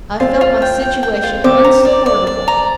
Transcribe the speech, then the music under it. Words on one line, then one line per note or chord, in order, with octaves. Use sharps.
I felt my situation unsupportable.
C4 F4
F4
G5
G5
G5
F4
C4 D6
A#5
D5
D5
D5
A#5